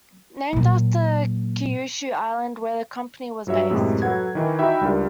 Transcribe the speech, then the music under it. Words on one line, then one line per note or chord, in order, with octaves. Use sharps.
Named after Kyushu island where the company was based.
A#2 F#3
G2 F#3 C#5 E5
F#2 A2 C3 G#3
F#3 A4 B4 F#5 G#6
D#3 E3
D#4 F#4 E5 G5 B5
C#2 G3 D4 A#4